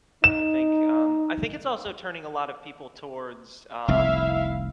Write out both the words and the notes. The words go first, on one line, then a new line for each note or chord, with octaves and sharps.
Yeah, I think, um I think it's also turning a lot of people towards, um
D#4 E7
F1 C2 E4 E5 F5